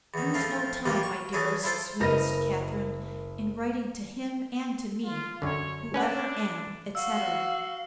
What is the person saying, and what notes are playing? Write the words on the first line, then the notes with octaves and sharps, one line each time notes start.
Lose no time, my dearest, sweetest Catherine, in writing to him and to me, Who ever am, etc.
E2 D#3
A2 F3 A3 F4 A#5 C6
A1 G2 C3 A#3 F4 A#4
C#6
E3 C#4 G#4 A4
E4 F4 A4 C5
F#1 A#4 B4 D#5 A#6
F4
F#2 D3 C#5
C#4 D4 B4 F#5
F#4 F5 E6